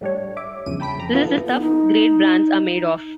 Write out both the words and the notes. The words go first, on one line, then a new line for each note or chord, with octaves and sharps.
This is the stuff great brands are made of.
A2 G3 D4 C#5
E5 D6
E2 G2 C#3 F3 D#7
G5 A5 B5 B6 D7
F2 A#5 B5
B3 E4 F4 A4
B3
D#4